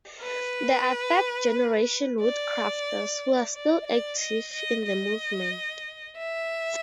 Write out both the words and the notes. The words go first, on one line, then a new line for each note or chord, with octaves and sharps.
There are third-generation Woodcrafters who are still active in the movement.
B4
D5
D5
D5
D#5
D#5
D#5
E5